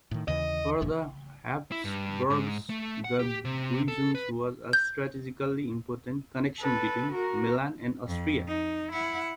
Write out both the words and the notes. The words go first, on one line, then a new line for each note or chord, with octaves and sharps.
For the Habsburgs, the Grisons was a strategically important connection between Milan and Austria.
A2 D#3
D#2 C#3 E3 D#5
G1 F2 A#2
E4
G2
G#2
A3
F#5
G4
C3
A4
B4
G6
A4 B4
F#4 A#4
F2
D#4
E4 F#5